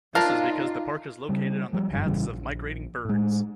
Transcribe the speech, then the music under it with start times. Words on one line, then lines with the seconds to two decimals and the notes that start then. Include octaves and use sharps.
This is because the park is located on the paths of migrating birds.
0.15 F3 D4 D#4 F4 A#4 F5 A5
1.29 C#3 G3
1.73 F3 G3
1.92 F#1 G2 D#3
2.05 A1 C#3 E3 G3
2.28 A#1
3.05 A2 G#3